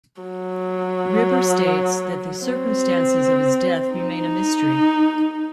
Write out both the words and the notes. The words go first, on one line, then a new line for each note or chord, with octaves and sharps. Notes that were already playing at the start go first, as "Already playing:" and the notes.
Riber states that the circumstances of his death remain a mystery.
F#3
C4
D#4